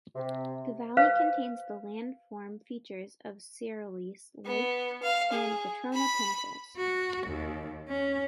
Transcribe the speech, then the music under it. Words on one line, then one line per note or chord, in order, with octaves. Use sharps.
The valley contains the landform features of Searles Lake and the Trona Pinnacles.
C3
B4 C5 F5
B3
F5
G#4
B5
F#4
D#2
C#4